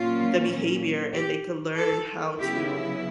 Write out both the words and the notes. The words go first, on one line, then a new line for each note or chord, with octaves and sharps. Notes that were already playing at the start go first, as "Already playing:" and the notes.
the behavior and they can learn how to
Already playing: A#2 F#3 A#3 C#4 F4
G4
A4
C#3 F#3 B3 E4 G4